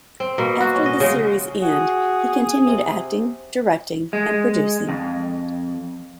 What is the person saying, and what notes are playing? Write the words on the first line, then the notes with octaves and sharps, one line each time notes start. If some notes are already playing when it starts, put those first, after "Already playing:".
After the series' end, he continued acting, directing and producing.
C4
B2 A#3
F#4
C#4
D#5
C#3 G#3
F#4 G#4
C3
G#3
F2